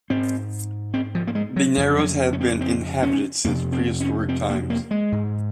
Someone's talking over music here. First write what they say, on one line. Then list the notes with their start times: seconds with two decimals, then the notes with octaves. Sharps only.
The narrows have been inhabited since prehistoric times.
0.10 G#2 C4
0.94 C4
1.15 F3
1.27 A#3
1.35 G#3
1.56 F#3
1.77 F2 C#3 F3
1.98 F#3
2.33 C#4
2.40 C4
2.61 C4
3.03 C#4
3.44 F2 C3 A#3
3.73 C4
4.00 C#4
4.29 C4
4.50 A#3
4.70 A#3
4.91 G#3
5.12 G#2